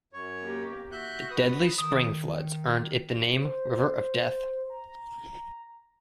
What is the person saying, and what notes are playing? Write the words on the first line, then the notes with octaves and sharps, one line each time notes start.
The deadly spring floods earned it the name "River of Death".
F#2 C#5
A#3 G4
F#4 E5 F#6 G6
B4 D#6
D#3 D#6
C5
A#5